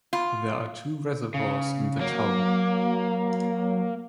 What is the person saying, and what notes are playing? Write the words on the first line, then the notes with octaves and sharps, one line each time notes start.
There are two reservoirs in the town.
F4
C#3
F#3 A#3